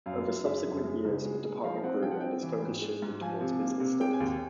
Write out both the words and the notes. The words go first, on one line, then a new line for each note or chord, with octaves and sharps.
Over subsequent years the department grew and its focus shifted towards business studies.
F#2 F5
F#2
G#3 E5
F#2
G#3
C#2
G#3
G#3
F3 F5
C4 F#5
F3 G5
F#5
C4 G5
E3
G#2
G#3
G#2
F3 G#5
C3
A#3
C3
G#3 G5
G#5
D#2
G5